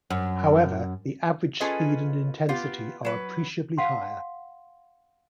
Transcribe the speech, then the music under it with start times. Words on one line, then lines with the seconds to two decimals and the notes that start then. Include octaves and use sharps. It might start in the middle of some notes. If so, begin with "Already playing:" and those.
However, the average speed and intensity are appreciably higher.
0.10 F#2
1.60 C#4 F4 G#4 A4 B4 D#5
2.49 B3 F4 G4 F5
3.05 F#3 B4
3.78 F5 F#5 C6